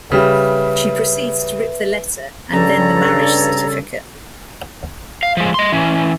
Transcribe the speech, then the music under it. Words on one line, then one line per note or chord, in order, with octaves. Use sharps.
She proceeds to rip the letter and then the marriage certificate.
C#3 G3 B4 E5
G2 C#3 A4 C#5 D5 A#5
F5
F3 G#3
D#5 C6
E3 C#4